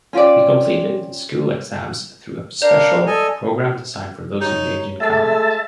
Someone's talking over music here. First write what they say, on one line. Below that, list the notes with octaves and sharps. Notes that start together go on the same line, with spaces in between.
He completed school exams through a special program designed for those engaged in combat.
C#4 F4 G4 D5
D4 A#4 D5 F5
A4 D#5 G#5
D#4 C#5
G#3 A3 E5 A5